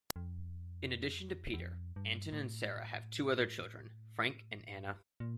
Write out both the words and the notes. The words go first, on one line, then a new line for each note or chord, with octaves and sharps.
In addition to Peter, Anton and Sarah have two other children, Frank and Anna.
F2
E2
F2
G2
A2
A#2